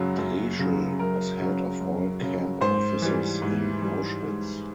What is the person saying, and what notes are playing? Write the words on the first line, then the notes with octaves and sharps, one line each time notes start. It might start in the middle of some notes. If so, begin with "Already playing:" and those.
Dreschel was head of all camp offices in Auschwitz.
Already playing: F#2 C#3 F#3
F#2
C#3 F#3
F#2 A#4
C#3 F#3
F#2
C#3 F#3
G#2 C5
E3 G3
G#2
E3 G3
G#2